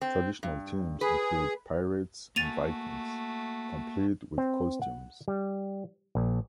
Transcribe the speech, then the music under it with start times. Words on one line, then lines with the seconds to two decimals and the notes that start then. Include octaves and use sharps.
Traditional teams include Pirates and Vikings, complete with costumes.
0.01 C4
0.43 G2
1.01 G#4 B4
2.36 A3 A#3 F#4 G#5 A6 D#7 F7
4.38 C4
4.82 F#5
5.28 G3
6.15 A#1